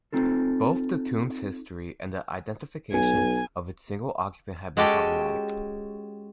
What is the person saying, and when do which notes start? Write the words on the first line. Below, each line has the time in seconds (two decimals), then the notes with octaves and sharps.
Both the tomb's history and the identification of its single occupant have been problematic.
0.13 C4 D#4 F4 A4
2.93 B1 G#5
4.77 G#3 C#4 F#4 G4 A4 G5